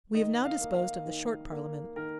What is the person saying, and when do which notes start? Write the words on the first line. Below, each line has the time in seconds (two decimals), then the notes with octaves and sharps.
We have now disposed of the Short Parliament.
0.14 D#3 D#5
0.45 F5
0.61 A#3
0.75 F5
1.06 D#3
1.52 A#3
1.96 D#3 A#4